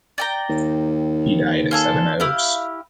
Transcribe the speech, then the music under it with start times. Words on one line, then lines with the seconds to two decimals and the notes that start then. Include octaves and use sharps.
He died at Sevenoaks.
0.18 D5 G5 A#5
0.50 D#2
1.71 F4 G#4 A4
2.20 E4 G4 F5